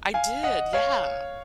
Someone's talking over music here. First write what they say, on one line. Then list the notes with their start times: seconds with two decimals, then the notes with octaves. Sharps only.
I did, yeah.
0.14 F5 G#5
0.43 D#5 F#5
0.73 C#5 F5